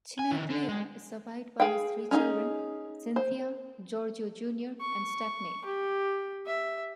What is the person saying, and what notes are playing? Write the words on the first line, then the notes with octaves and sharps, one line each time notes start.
Chinaglia is survived by his three children, Cynthia, Giorgio Junior and Stephanie.
G#5
D#3 E4
D4 A4
G#3
G#4 F5 G5
C#4 D#4 G#4
C5
C#6
G4
E5